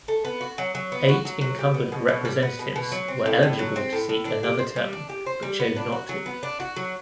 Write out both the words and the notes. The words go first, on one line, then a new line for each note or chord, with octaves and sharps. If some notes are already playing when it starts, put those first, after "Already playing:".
Eight incumbent representatives were eligible to seek another term but chose not to.
A3
B3
F#4
F#3
F#3
B3
F#4
F#3
F#3
G3
B3
B2
B2
G3
B3
B2
B2
F#3
C4
A2
A2
F#3
C4
A2
A2
D4
G4
C5
G3
D4
G4
C5
G3
B3
D4
F#4
F#3
B3
D4
F#4
F#3